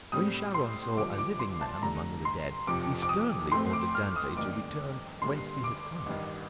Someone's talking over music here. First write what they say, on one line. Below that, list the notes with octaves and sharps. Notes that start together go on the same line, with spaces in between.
When Charon saw a living man among the dead he sternly ordered Dante to return whence he had come.
A2 G3 C4 D#6
C6
G1 G2 D3 F3 D6
D6
C6
A5
G2 D3 A3 A#5
C6
F1 F2 C3 F3 C4 D6
D6
D#6
A2 A3 C4 C6
D6
F6
D#6
G1 F2 D#3 A#3 D4 D6
G1 G2 D3 G3 A#3 C6
D6
A1 G2 D#3